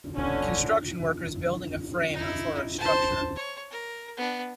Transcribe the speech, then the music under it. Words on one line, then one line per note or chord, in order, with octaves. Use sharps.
Construction workers building a frame for a structure.
D#1 B1 G2 D3 C#4
D#4 E4
C5 A5
C#5
A#4
B3 D4